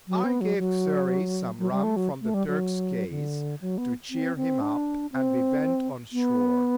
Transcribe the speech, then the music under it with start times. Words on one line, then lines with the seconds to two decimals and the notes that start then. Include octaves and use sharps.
I gave Xury some rum from the Turk's case to cheer him up, and we went on shore.
0.08 F#3
0.24 B3
0.41 F#3
0.58 F#3
1.59 F#3
1.71 G3
1.84 A3
1.96 F#3
2.22 A3
2.34 G3
2.47 F#3
3.10 D3
3.61 F#3
3.78 B3
4.10 C4
4.36 C4
4.61 D4
5.12 C4
6.12 B3